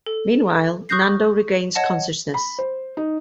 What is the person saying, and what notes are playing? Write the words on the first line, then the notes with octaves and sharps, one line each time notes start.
Meanwhile, Nando regains consciousness.
A4
C#6 D#6 F#6 G6 A#6 C7
C#5 D#5 F#5 A5
B5
C5
D#4